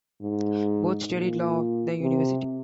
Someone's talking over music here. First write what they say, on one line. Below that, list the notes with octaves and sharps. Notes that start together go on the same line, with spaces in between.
Both studied law at the university.
G#2
A#2
C3